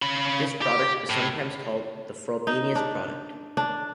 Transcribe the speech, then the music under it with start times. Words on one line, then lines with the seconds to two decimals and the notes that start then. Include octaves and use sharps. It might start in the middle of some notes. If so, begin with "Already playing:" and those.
This product is sometimes called the "Frobenius product".
0.02 C#3 B5
0.62 G4
1.10 A2
2.47 D#4
2.75 D4
3.57 D4